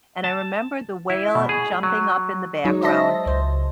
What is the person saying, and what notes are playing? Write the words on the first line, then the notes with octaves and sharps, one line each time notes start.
and I remember the whale jumping up in the background
A5
E4
B2
G#4
F#3
F#3 G#3 D#4 C#5
C5 D#5 E5 A5 A#6
C#2 C5